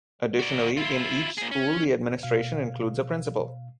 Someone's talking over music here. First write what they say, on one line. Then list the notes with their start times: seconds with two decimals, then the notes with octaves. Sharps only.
Additionally, in each school the administration includes a Principal.
0.39 F#4 D5
0.77 E4 F4
1.38 A#2 G#4
1.51 C#4
2.23 B2 F5